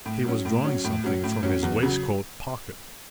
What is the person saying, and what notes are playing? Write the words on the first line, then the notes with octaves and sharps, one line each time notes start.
He was drawing something from his waistcoat pocket.
A2
F#3 C#4
A2
F#3 C#4
A2
F#3 C#4
A2
F#3 C#4
E2
C#3 F#3